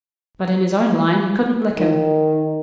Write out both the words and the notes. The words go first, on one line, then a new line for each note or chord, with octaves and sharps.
But in his own line you couldn't lick him.
D#3